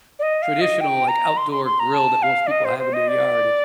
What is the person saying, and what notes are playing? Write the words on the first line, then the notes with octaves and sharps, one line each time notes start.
traditional, like, outdoor grill that most people have in their yard, it's
D5
D#5
F5
D#5
G5
A#5
C6
C6
C6
A#5
A5
F5
D5
D#5
C5
C5
D#5
D5